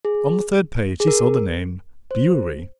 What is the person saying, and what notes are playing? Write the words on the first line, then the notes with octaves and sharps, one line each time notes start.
On the third page he saw the name Bewery.
G#4
G#4
A#4
C5